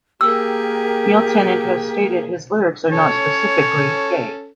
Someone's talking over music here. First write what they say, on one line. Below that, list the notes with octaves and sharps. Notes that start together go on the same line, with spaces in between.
Neil Tennant has stated that his lyrics are not specifically gay.
A#3 G4 G#4 A#4 G5 E6
C#4 A4 C#5